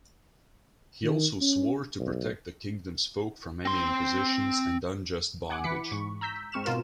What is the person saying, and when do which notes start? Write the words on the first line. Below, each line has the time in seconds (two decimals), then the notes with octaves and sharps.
He also swore to "protect the Kingdom's folk from any impositions and unjust bondage".
1.04 D#3
1.41 C#4
1.99 B1
3.65 C4 C6
5.50 F#5 G#5 D6 F#6
5.64 E3 B5 D6 B6 C#7
5.92 G#2 C#6
6.21 A#5 E6 G6 B6
6.52 G#2 C4 C#6 F6 E7
6.64 B2 F4 A#4 E7